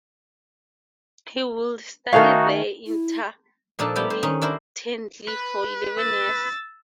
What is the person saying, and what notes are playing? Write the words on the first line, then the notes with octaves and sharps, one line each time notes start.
He would study there intermittently for eleven years.
D#3 A3 C#4 D#4 F#4 F5
E4
A#2 F3 D4 D#4 A4
G3 B3 E4 G4 G5
C5
D#3 C#4 D#4
D4 E4 A#4 C5
B4
E6 A6